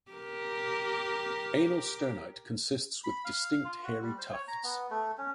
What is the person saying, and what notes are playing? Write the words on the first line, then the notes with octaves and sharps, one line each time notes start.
Anal sternite consists with distinct hairy tufts.
G4 A#4
B5
F5
F5
F4
F#4
G3
C5
C#5
A#5
B3
A3
C#4